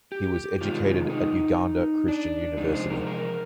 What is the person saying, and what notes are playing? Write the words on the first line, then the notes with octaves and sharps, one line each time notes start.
He was educated at Uganda Christian University.
G4
C3 D#3 G#3 F4
D#4
D4
C3 F3 G#3 D#4
C5
A#4
A#4